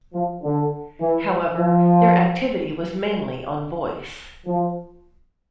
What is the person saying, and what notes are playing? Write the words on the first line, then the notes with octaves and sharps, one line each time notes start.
However, their activity was mainly on voice.
F3
D3
E3
F3
F3